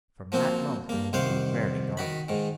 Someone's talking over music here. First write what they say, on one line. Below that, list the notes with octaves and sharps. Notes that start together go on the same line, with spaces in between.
From that moment he grew very guarded.
F3 A#3 C4 F#4
G2 A#3
C2 D#3 C5 F5 F#5
D#3 F#4 B5
G#2 D#3